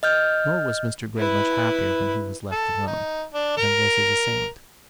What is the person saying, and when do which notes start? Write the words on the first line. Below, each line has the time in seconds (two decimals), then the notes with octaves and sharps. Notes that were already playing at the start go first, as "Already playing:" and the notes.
Nor was Mr. Grey much happier when he was left alone, than was his assailant.
0.03 D#5 F6 G6
1.17 E4 B4
2.52 A4
2.87 D#4
3.34 D4
3.57 A#4